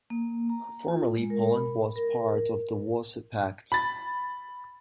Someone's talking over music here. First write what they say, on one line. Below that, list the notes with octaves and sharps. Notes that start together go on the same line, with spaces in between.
Formerly, Poland was part of the Warsaw Pact.
A#3
A#5
F4
G#3
A#4
B5
A#4
B5 A6